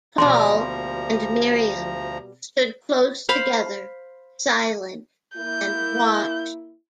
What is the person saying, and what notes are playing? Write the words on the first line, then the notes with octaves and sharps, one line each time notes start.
Paul and Miriam stood close together, silent, and watched.
D2 B2 F3 G3 A#3 A#5 C6
C5 F5 B5
A#3 E4 G6